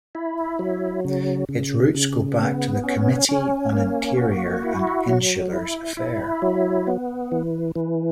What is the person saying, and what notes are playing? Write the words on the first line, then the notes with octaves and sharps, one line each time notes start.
Its roots go back to the 'Committee on Interior and Insulars Affair'.
E4
F#3
C#3
C#3
C#3
B3
C#4
C#4
A#3
F#4
E4
F#3
E4
E4
F#3
B3
E3
E3